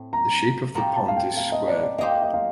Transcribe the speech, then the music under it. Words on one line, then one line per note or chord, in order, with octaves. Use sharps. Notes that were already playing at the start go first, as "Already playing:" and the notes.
The shape of the pond is square.
Already playing: A2 A3 C4
A#5
A2 F3 C4 G4 A#5
A5
F5
G5
F5
D#5
D5
D5
A#3 D#4 G4 C5 D#5
F5
D#5
F5